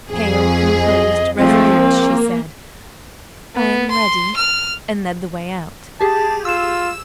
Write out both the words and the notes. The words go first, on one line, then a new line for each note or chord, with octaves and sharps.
Pale, composed, resolute, she said, "I am ready," and led the way out.
F2 G#4
D#5
F3 G#3 A3 C4
A#3
B3
C6
F6
G4 G#4 A5
F4 E6 E7